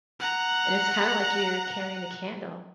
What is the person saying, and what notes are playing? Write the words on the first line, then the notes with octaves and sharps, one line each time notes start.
and it's kinda, like, you're carrying the candle,
F#5 A#5